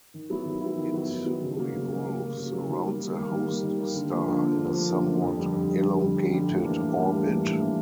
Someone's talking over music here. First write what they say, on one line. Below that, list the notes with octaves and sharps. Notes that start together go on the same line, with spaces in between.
It revolves around the host star in a somewhat elongated orbit.
D#3
F#3 B3 E4
D#3
F#3 B3 E4
D#3
F#3 B3 E4
D#3
F#3 B3 E4
C#3
F#3 A#3
C#3
F#3 A#3
C#3
F#3 A#3
C#3
F#3 A#3
D#3
G3 A#3
D#3
G3 A#3
D#3
G3 A#3
D#3
G3 A#3
D3
F3 A#3
D3
F3 A#3
D3
F3 A#3
D3
F3 A#3
F2
D3 G3
F2
D3 G3
F2
D3 G3
F2
D3 G3
A2
E3 G3 A#3 D4
A2
E3 G3 A#3 D4
A2
E3 G3 A#3 D4
A2
E3 G3 A#3 D4